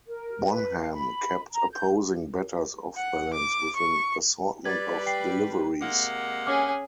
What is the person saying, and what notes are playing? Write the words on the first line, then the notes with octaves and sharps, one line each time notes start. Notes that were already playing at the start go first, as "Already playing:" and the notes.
Bonham kept opposing batters off balance with an assortment of deliveries.
A#4
B4
F5
B5
A#5
G6
F#5
D6
C#6
G3 B4 D5 G#6 A6
G5 C7
C3 G#3 A#3 F#5
C#4 G#4 D6 F6